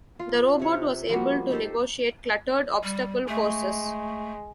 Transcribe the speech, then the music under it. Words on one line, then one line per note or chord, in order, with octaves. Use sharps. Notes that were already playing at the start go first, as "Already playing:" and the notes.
The robot was able to negotiate cluttered obstacle courses.
F4
C3 C#5
F3 G3 A#3 F#4
D#4 G4 A4 C5
G3
G#3 A3